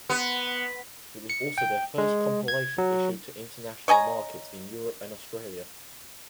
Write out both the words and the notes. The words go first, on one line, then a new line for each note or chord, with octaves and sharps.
It was also their first compilation issued to international markets in Europe and Australia.
B3
C#7
G5
G#3
G#6
F#3
C#5 D#5 G#5 A#5